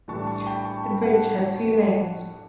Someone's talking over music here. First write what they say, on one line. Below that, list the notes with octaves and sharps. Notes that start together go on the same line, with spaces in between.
The bridge had two lanes.
A2 E3 G3 D4 A5 C#6
A5 C#6
G5 B5
A5 C#6
G5 B5
F#5 A5